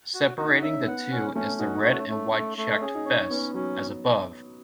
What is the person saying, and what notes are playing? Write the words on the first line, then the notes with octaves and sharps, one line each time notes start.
Separating the two is the red and white checked fess, as above.
F#4
D#4 F#4
C#4 E5
B3 F#5
C#4
A3 C#4
D#4 F#4
D#4
A3 C#4
A3
A3
A3
C#4 G#4
D#4
C#4 C#5
B3 C#4
F#3 C#4